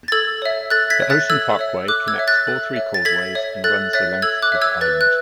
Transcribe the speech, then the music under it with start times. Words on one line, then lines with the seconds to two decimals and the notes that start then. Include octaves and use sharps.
The Ocean Parkway connects all three causeways and runs the length of the island.
0.08 A6
0.12 A4 E6 G#6
0.42 C#5 E5
0.70 A4 F#6 A6
0.90 G#6 B6
1.00 C#5 E5
1.10 F#6 A6
1.30 A4 E6 G#6
1.59 C#5 E5
1.88 A4 D6 F#6
2.08 E6 G#6
2.18 C#5 E5
2.28 F#6 A6
2.47 A4
2.76 C#5 E5
2.94 A6
3.05 A4 G#6 B6
3.35 C#5 E5
3.64 A4 F#6 A6
3.93 C#5 E5 F#6 A6
4.22 A4 E6 G#6
4.42 D6 F#6
4.52 C#5 E5
4.62 E6 G#6
4.81 B4 F#6 A6
5.01 F#6